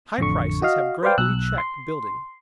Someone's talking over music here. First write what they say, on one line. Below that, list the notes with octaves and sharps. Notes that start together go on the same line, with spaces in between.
High prices have greatly checked building.
A1 F2 D3 C#6
F#4 D#5 F5
B4 C5 D5 F5 G5
B1 E6 F#6
C6